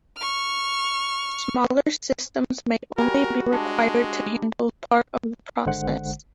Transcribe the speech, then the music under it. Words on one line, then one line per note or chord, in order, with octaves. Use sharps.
Smaller systems may only be required to handle part of the process.
C#6 F6
G3 F#4 A#4 G#5
G#3 D4
G#1 D3 G#3 C5 F#5